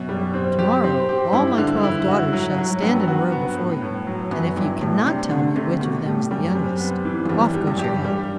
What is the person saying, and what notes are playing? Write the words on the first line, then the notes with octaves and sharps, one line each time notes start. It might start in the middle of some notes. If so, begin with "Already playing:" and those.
To-morrow all my twelve daughters shall stand in a row before you, and if you cannot tell me which of them is the youngest, off goes your head.'
Already playing: F#2 B2
G3
C4
G4
C4
G4
G2 E4
D3
E4
F#4
F#3
F#3
G2 B3
F#4
B3
A2
A2
F#3
F#2 B3
G2 E4
A2 G3
C3 D4
D3 A3
C3 A3
C3
B2 G3
A2 G3
F#2 G3
C3
B3
E3
F#2
E2 G3
G3
G2
F#2
G2 G4
G3